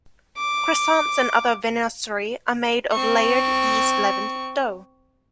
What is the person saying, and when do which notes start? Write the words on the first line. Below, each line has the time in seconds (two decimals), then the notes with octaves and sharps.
Croissants and other viennoiserie are made of a layered yeast-leavened dough.
0.38 D6
2.92 C4 C#6